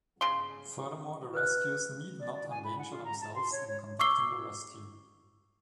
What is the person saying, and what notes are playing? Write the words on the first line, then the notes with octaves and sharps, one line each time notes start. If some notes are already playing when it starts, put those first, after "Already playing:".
Furthermore, the rescuers need not endanger themselves in conducting the rescue.
C#3 C6
B4 F6 F#6
D5
D5
G#5
B5
F#5
F4
A#5
A5
C6
C#5
C#5
C#6 D6 E6 C7 G7